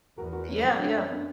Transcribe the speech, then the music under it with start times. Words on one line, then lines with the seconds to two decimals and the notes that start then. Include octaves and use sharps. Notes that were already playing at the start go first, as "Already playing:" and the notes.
Yeah, yeah.
0.18 E2 F#4 A#4
0.32 F#4 A#4
0.48 A#3 C#4
0.64 F#2 F#3 A#3
0.79 D3 F#3
0.95 A#3 C#4
1.10 B3 D4